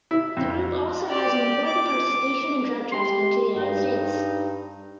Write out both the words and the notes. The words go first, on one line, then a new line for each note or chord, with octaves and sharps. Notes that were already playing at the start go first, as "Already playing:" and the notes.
The group also has an important participation in drug trafficking to the United States.
E4
F2
G4 D5
D6
G4 C6
G2 D#4